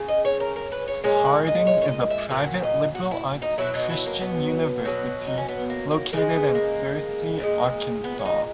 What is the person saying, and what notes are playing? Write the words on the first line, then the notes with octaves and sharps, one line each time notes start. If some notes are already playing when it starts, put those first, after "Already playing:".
Harding is a private liberal arts Christian university located in Searcy, Arkansas.
Already playing: C#3
D#5
C#5
A#4
A#4
B4
C#5
A#2 G#3 C#5
F#5
D#5
C#5
C#5
D#5
E5
A#2 F#3 F#5
D#5
F#4
E4
D#4
B2 F#3 E4
D#4
E4
A#3
B3
B2 F#3
D#4
C#4
B3
A#3
A#3
C#3 G#3 A#3
B3
A#3
A#2 G#3
B3
C#4
D#4